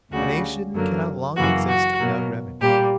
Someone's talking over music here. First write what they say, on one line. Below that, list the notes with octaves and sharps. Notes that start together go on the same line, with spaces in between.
A nation cannot long exist without revenues.
D2 C#3 G3 F#4
F#2 D3 F#3 A#3
F#2 C#3 E3 A#3 F#4
F#4
B2 F#3 A#3
A#2 G3 A#3 G4